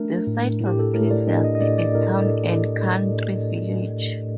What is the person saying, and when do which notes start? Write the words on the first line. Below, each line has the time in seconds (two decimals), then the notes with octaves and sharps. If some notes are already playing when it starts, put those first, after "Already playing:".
The site was previously a Town and Country Village.
Already playing: A3 D4 A#4
0.27 A2
0.60 A2
0.66 G4
0.79 A4
0.94 A2 A#4
1.11 D5
1.27 D4 D#5
1.44 D#5
1.55 D#5
1.61 A3 D5
1.78 D5
1.95 A2 A#4
2.08 A4